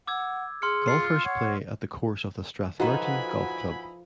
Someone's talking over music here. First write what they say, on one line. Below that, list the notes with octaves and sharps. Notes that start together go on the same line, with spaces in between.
Golfers play at the course of the Strathmerton Golf Club.
F#5 D6 E6 G#6
G#4 C6 F6 C#7
F4 C7 C#7
C#5 F#5
F3 D#4 E4 F#4 A4 B4 G#5 B5